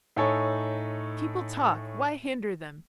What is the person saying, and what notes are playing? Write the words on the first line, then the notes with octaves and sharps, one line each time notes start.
People talk, why hinder them?
A2 D#4 A4 C#5 G#5